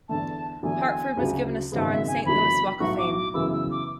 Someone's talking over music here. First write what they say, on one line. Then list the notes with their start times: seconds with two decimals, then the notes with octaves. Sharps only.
Hartford was given a star on the Saint Louis Walk of Fame.
0.09 E2 D3 A3 A5
0.63 E2 D3 F#3 A3 G#5
1.17 D2 C#3 F#3
1.72 G#1 F#2 C#3 G#3 B3
1.90 E5
2.08 G#5
2.25 F#1 E2 D3 F#3 B5
2.80 B1 A2 F#3 B3 F#4 C#6
2.98 D6
3.16 D6
3.34 F#2 C#3 E3 B3 E4 E6
3.53 E6
3.71 D6